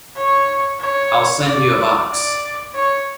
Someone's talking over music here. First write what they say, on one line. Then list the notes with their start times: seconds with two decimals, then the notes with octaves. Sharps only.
I'll send you a box.
0.16 C#5
0.80 C#5
1.46 D5
2.11 D5
2.74 C#5